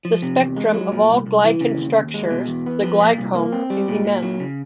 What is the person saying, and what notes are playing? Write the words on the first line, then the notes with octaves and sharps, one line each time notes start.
The spectrum of all glycan structures - the glycome - is immense.
F3
C3
E2
G#3
F#3
A#2
C2
C2
E3
C#3
D#2
D#2
G#3
B2
E2
B3
F3
A#2
C2
A#3
C4
G3
A#2
A#2
F#3
C#3